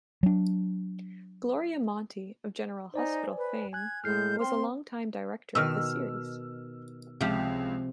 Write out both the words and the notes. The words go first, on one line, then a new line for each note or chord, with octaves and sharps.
Gloria Monty, of "General Hospital" fame, was a longtime director of the series.
F#3 D4
D#4 C5 D5 G#5
B4
G#5 F#6 G#6
A2 G#3 F6 G6 C7
C4 C6
B2 D#3 E6 F6
C#2 C3 F3 G4